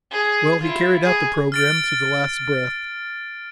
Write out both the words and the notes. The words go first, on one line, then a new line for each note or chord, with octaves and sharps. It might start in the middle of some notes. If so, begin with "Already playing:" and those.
Well, he carried out the programme to the last breath.
G#4
E4 F4
G#4
F6 A6 D7